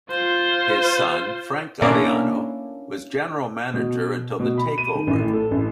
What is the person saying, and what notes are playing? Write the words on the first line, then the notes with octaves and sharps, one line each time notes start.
His son, Frank Galliano was General Manager until the takeover.
F4 C5
A#3 C#4 D4 E4
B2
B2
B5
D#7
D#3
A1
A2
A4
A1